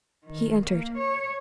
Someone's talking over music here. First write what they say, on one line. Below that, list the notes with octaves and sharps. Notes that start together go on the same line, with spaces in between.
He entered.
D#3
A#3
C#5